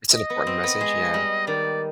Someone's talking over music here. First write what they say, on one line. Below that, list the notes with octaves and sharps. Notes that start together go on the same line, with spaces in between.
It's an important message, yeah.
D#5
B3
C4
B3
G#3
G3
D#3 D5